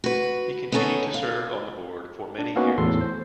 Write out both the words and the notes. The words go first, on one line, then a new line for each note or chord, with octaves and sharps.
He continued to serve on the board for many years.
F#4 B4
B3 C#4 D#4 A4 C#5
F5
D4
A#3 B3 C#4 D#4 F#4 B4
E2 A2 A4 C6
C5